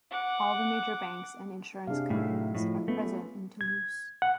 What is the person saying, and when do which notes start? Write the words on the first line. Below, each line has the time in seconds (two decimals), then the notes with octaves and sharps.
All the major banks and insurance companies are present in Toulouse.
0.11 F#5 D6
1.87 C3 D4 G#4 F5
2.10 A2 A3 D#4 E5
2.55 A2 F3 E4
2.88 A3 B3 C#4 F4
3.61 G#6
4.22 F#5